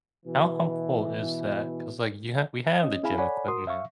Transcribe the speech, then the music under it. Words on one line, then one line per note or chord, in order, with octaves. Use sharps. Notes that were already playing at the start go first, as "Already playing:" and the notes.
how helpful is that? 'Cause, like, you ha we have the gym equipment,
B2 E3
C#4 D#5
C4 E4 G#4 F5 G#5 B5
A4 C#5 D5 F#5 G#5 B5
F#4 A#4 C6 D#6
E5 F5 C#6